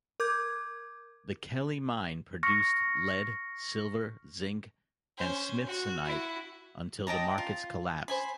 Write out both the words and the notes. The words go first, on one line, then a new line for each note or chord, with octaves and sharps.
The Kelly Mine produced lead, silver, zinc and smithsonite until the markets collapsed.
A#4 D6 G6 G#6
C#6 F6 A#6 C#7
C#4 C5
F#4
E4 F#4
D#5 G5 A5 A#5
F4
C5 G#5 B5